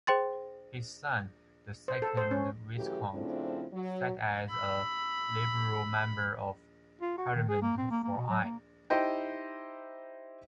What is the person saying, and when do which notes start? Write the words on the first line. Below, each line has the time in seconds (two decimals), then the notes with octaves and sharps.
His son, the second Viscount, sat as a Liberal Member of Parliament for Eye.
0.07 G#4 C5 G5 C6 A6
1.88 C5
2.02 A4
2.17 C5
2.31 C#4
2.76 C#3 E3 F#3 A3 F#4 G4
3.14 C#3 F3 A3 C4 D4 E4
3.73 F#3
4.51 B5 E6
7.01 F4
7.18 F#4
7.35 D#3
7.49 G#4
7.62 A#3
7.78 C4
7.90 A#3
8.04 A#3
8.17 B2
8.29 F#3
8.44 A#3
8.90 D#4 E4 G4 C5 D#5 G5